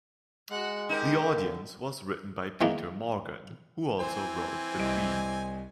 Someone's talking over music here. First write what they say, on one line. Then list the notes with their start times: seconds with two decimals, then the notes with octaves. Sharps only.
"The Audience" was written by Peter Morgan, who also wrote "The Queen".
0.50 G#3 F#4 F#5
0.89 D#4 G4 A#4
1.21 D3 A#3
2.61 D#3 E3 G#3 A#3 D#4
4.00 E3 C4 C5 G#5
4.78 C2 D#5 D7